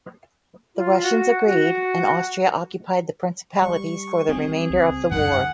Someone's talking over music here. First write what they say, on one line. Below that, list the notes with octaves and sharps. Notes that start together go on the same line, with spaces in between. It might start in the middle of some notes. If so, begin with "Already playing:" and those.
The Russians agreed, and Austria occupied the Principalities for the remainder of the war.
F4
F#4
F#4
G3 C#6
C4 G#4
C#2
F#2 D#3 F#5